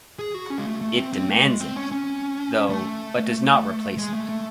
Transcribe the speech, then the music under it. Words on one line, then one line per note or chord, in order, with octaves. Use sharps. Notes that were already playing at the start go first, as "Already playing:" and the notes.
It demands it, though-but does not replace it.
G#4
F#4
C#4
G#3
A3
A3
C4
C4
A3
G#3
C4
C#4
C#4
A3
G#3
A3
A3